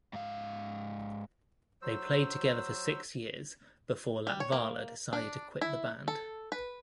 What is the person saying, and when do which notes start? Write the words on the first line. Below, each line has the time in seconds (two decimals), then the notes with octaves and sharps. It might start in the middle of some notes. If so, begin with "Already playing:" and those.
They played together for six years before Latvala decided to quit the band.
0.13 G#2 F5
1.82 F#3 C5 E6
4.27 G3
4.40 C#5
4.52 A#3
5.13 D4
5.61 E4
6.08 A4
6.52 B4